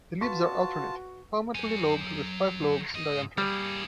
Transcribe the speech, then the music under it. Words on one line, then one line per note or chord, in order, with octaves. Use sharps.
The leaves are alternate, palmately lobed with five lobes, in diameter.
F4 F#4 B4 A5 C#6 B6
F#3 G#5
G#2 D#5
G3 A#3 G#4